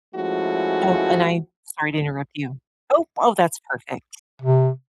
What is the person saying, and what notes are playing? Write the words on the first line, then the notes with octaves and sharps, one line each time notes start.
Oh, and I'm sorry to interrupt you. Oh, oh, that's perfect.
F3 G#3 A3 C#4 E4 F#4
C3